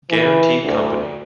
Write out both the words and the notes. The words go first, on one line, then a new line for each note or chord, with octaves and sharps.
Guarantee Company.
E3
D2